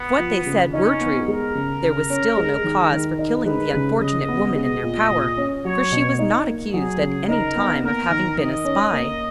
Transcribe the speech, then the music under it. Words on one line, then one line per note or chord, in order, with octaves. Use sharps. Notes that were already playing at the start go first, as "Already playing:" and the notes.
If what they said were true, there was still no cause for killing the unfortunate woman in their power, for she was not accused at any time of having been a spy.
Already playing: B3
F3
C#3
C#4 D#4
B3
G#3 A#4
C#3
C#3
C#4
G#3
D#3
D#3
D#4
G#3 B4
C#3
C#3 D#5
B3
G#3 D#5
A#2
A#2
C#4
F#3 C#5
B2
D#4
A#3
F#3 G#4
C#3
D#4 A#4
B3
A#3 A#4
D#3
D#3 D#5
C#4
A#3